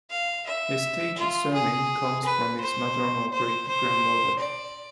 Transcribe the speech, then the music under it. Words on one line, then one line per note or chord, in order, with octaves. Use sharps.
His stage surname comes from his maternal great-grandmother.
F5
E5
F4
G#4
B4
C5
C5
C5
D5